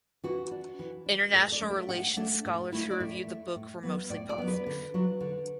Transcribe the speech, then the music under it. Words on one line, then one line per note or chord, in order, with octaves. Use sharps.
International Relations scholars who reviewed the book were mostly positive.
E3 F#4
D4
E3
D4
A2 A4
D5
A3 D4
E5
A2 F#5
A3 D4
A2
A3 E4
D5
A2 E5
A3 E4
A2
F#3 B3
A2 D5
D5
F#3 B3
B4
D3
F#3 D4
D3